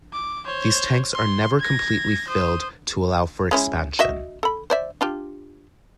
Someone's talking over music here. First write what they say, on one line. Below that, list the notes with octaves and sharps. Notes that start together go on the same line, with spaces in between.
These tanks are never completely filled to allow for expansion.
D6
C5 C#5
C6
G#6 A#6
C5 D#6
G#3 C#4 E4
F#4 D#5 E5
A4 B5
C5 D5 E5
D4 F4 G4